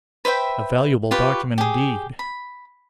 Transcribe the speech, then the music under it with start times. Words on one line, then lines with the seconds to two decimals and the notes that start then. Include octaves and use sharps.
'A valuable document, indeed!'
0.25 B4 C5 E5 G5
1.11 F4 G4 B4 C#6
1.58 G4 G#4
2.19 B5